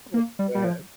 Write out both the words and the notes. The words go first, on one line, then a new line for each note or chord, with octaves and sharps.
Oh, man.
A#3
G3
G3
F3